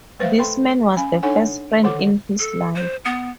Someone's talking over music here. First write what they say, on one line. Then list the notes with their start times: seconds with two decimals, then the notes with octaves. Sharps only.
This man was the first friend in his life.
0.19 A3 B4 C5 E5 F5
0.39 A4 B4 G5 B5 C6
0.97 C#4 F5 G#5 B5
1.23 D4 D#4 A4 C#5 F#5 G#5
1.84 D3 D#3 A4 F#5 D6
2.39 A4
2.75 C5
3.05 B3